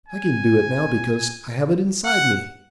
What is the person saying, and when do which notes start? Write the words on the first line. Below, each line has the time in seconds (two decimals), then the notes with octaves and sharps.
I can do it now because I have it inside me.
0.09 G#5
2.05 F#5